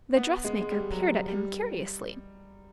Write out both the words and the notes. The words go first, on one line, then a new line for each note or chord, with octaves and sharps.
The dressmaker peered at him curiously.
B3
G#3
G#3
G3
F#3
G3
G3